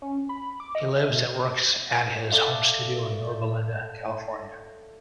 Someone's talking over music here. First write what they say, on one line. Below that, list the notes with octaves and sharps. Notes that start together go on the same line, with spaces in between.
He lives and works at his home studio in Yorba Linda, California.
C#4
B5
D6
D#5
E5
B2
A4 D5 E5 F5